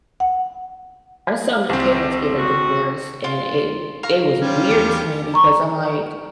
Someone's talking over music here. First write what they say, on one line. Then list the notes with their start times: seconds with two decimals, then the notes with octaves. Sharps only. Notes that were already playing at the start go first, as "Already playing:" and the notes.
I saw my parents get a divorce and it it was weird to me because I'm, like,
0.20 F#5
1.69 C2 C4
2.37 F#4
3.24 F4
4.03 F5 A#5 C#6
4.42 G3 C#4 F4
4.70 E2 G4 A4 G#5
5.34 A#5 C#6